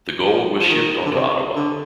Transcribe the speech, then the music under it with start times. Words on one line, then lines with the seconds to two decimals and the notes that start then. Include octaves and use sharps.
The gold was shipped on to Ottawa.
0.24 F3
0.60 F3
0.69 D#3
1.06 D3
1.12 C3
1.56 D3